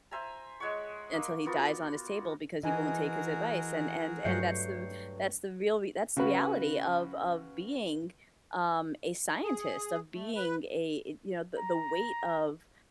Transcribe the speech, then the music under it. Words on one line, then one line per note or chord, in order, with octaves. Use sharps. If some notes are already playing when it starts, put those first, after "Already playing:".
until dies on his table because he won't take his advice, and and and that's the that's the real rea that's the reality of of being, um, a scientist, of being a you know, the the weight of
C5 E5 G#5 A#5
G#3 C#5 F#5 C#6
A#3
A#3 B3 F4 F#4
E3 F#4 G#4 A#4 D#5 G#5
G2 F#3 A3 G6 C7 C#7
C#3 F#4 B4
G#4
A3
B4
A#5